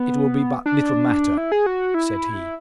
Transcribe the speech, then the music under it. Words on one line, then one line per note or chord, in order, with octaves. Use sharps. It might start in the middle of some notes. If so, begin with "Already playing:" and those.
'It will be but little matter,' said he.
Already playing: B3
D4
E4
G#4
F#4
E4